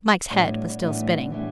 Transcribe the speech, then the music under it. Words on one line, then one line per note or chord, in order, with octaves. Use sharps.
Mike's head was still spinning.
A2 E3 G3 B3 D4
A2 E3 G3 B3 D4
A2 E3 G3 B3 D4